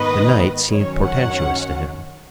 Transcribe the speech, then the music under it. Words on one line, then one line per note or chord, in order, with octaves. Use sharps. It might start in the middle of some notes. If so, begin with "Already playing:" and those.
The night seemed portentous to him.
Already playing: G#2 D#3 B3 B4 D#5
F#2 D#3 F#3 C#4 C#5
C#5 F#5